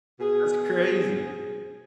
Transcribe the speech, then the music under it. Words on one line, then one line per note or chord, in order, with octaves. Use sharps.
That's crazy.
B2 G#4